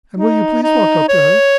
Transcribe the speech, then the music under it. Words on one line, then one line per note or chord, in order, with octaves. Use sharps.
"And will you please walk up to her?"
D#4
D#4
C#5